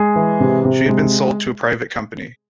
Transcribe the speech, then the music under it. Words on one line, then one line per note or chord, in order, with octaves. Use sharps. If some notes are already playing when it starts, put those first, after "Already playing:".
She has been sold to a private company.
Already playing: G#3 G#4
E3
C3
C3
G#3